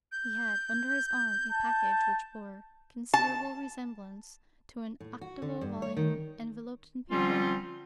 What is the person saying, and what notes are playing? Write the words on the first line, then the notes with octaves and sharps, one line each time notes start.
He had under his arm, a package which bore considerable resemblance to an octavo volume enveloped in paper.
G6
A5
A5
A2
F#4
D3
G2
C#5
D#3
D3 F3 G3 C4 C#4 F4